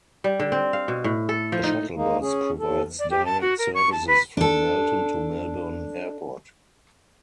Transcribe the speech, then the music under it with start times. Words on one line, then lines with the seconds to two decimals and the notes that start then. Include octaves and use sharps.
A shuttle bus provides direct services from Melton to Melbourne Airport.
0.24 G3
0.40 D3
0.52 C4
0.73 F5
0.88 B2
1.04 A2
1.29 A4
1.52 F3
1.64 D#4
1.96 G#3 A#3 D#4
2.21 C#4 G#4
2.60 D#2 A4
2.99 D5
3.10 G4
3.25 A5
3.41 F#4
3.58 A#4
3.74 C#6
3.92 A5
4.07 B4
4.37 D4 A4